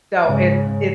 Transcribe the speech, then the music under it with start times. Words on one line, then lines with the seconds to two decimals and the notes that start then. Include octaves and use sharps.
So it's it's
0.25 G#2 C#3